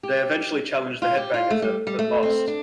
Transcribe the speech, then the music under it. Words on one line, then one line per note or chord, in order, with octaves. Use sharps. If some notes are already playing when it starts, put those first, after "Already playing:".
They eventually challenged the Headbangers at but lost.
G4
F4
G4
F4
A3
G3
G3
A3
C4
D4